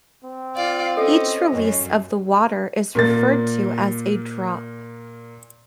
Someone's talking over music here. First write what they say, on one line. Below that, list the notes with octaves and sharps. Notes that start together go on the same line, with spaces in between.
Each release of the water is referred to as a drop.
C4
F4 D5 F5
C#4 A4 D#5
F#2 C#4
A#2 A#3 A6